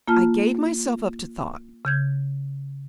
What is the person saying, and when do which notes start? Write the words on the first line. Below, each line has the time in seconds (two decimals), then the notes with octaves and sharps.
I gave myself up to thought.
0.08 A#3 F4 A5 F6
1.85 C#3 G6 G#6